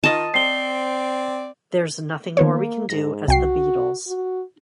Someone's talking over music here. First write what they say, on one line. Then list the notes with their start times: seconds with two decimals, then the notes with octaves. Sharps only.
There's nothing more we can do as the Beatles.
0.04 D#3 D#4 F4 D#5 A5
0.34 C4 D5 C7 G7
2.37 D#3 A#3 B3 C#5
2.89 G#2 A#6
3.28 C2 F#4 G5 C7
4.08 F#4